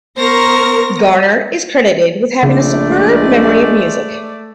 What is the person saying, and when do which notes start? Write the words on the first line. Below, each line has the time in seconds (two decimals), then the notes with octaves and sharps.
Garner is credited with having a superb memory of music.
0.17 B3 A#4 C5 C#6 A#6
2.43 A#1 C#3 A3 D5
2.89 G#3